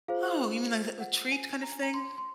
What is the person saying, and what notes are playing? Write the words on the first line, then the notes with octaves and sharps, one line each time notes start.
Oh, you mean like a a treat kind of thing?
F4 G#4 C5 F5
F#5
G#5
A#5
G#5
A#5
C6
C6